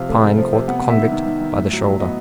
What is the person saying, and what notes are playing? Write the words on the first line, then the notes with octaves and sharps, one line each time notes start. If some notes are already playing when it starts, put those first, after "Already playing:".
Pine caught the convict by the shoulder.
Already playing: C3 F3 F5
A3
C3
F3
C3
B3 F#5
B3
E5
D#3
D#3
D#3
D#3
A2
F#3
F#3
B3 D#5